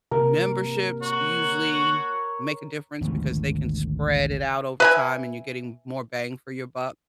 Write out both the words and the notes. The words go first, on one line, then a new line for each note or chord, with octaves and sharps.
memberships usually make a difference because they can spread it out over time and you're getting more bang for your buck,
C3 A#3 A#4
F#4 C#5
G#1 D2 B2 F3
B4 E5 G#5